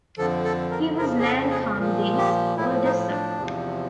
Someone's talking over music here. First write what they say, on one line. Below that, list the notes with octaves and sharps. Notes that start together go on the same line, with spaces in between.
He was Lan Kham Deng's oldest son.
F2 D3 F3 A4
A4
A#4
F2 C#3 F3 A#4
G#4
A4
G#4
A#2 F3
G4
A2 F3 E4
D#4
D4
E2 C3 F3